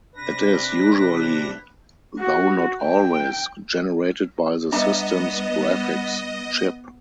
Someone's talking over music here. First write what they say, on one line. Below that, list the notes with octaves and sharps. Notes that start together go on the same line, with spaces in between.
It is usually, though not always, generated by the system's graphics chip.
C3 D4 B4 A#6
F#4
G5
G3 B3 D4 D#5 E5 A#5